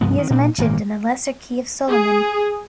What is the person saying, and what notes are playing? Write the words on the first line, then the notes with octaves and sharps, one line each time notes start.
He is mentioned in The Lesser Key of Solomon.
C2 G2 F3 B3
D#3
A#2 D4
G#1 A#2 A#3
G#4